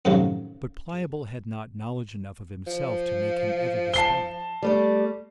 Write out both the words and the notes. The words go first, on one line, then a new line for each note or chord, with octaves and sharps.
But Pliable had not knowledge enough of himself to make him ever despond.
F#2 A2 C3 D#3 F3 F#3
F3
A5 C7 G7
G3 A3 D5